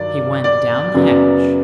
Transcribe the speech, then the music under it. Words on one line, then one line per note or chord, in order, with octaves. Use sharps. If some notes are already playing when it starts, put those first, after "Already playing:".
He went down the hatch.
Already playing: G2 D#3 F#3 D5
D5
F#2 C#3 F#3 B3